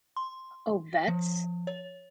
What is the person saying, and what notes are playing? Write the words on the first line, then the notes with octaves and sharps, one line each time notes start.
Oh, vets?
C6
F3
C#5